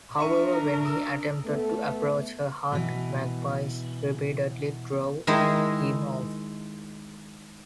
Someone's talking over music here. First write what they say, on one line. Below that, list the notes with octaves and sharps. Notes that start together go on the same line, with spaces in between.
However, when he attempted to approach her hut, magpies repeatedly drove him off.
D4 A#4 E5 C#6 D#7
D#6 E6
A3 B3
B2 E3
D#3 G#3 E4 D#5